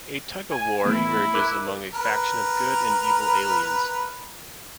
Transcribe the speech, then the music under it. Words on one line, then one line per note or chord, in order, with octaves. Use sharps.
A tug-of-war emerges among a faction of good and evil aliens.
G#5
E3 A3 B3 E4
A#4 D6 F#6
A#4 B4